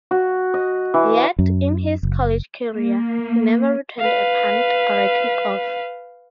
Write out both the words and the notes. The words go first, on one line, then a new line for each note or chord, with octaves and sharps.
Yet, in his college career, he never returned a punt or a kickoff.
F#4
D#5
E3
F#2
F#1
A#3
B4 F5